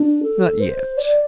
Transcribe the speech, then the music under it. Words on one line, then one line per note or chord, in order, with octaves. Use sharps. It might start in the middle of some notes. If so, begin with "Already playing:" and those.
"Not yet."
Already playing: D4
A4
C5
D5